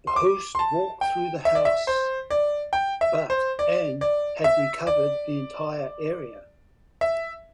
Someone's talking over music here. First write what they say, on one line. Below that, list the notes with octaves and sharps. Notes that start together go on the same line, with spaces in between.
The host walked through the house but and had covered the entire area.
C6
D6
C6
A5
G5
E5
D5
E5
C5
D5
G5
E5
C5
D5
D5
E5
D5
E5